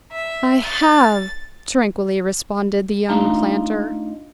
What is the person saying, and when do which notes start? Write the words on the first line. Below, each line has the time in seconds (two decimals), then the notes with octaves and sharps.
"I have," tranquilly responded the young planter.
0.12 E5
0.63 A6
3.09 A3 D4 D#4 F4 A5 A#5